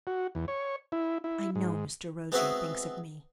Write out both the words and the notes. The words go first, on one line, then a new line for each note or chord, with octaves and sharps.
"I know Mr. Rosier thinks of me."
F#4
E2
C#5
E4
E4
G#2
G#3 B3 C4 F#4 G#4 E5